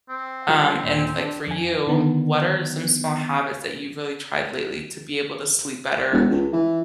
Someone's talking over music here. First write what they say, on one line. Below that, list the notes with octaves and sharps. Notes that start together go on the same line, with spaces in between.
Um, and, like, for you, what are some small habits that you've really tried lately to be able to sleep better
C4
G3 F4 A#4
D#2 A#2
D4
F2 G#5
D3 D#3 B3
E1
C#2
E3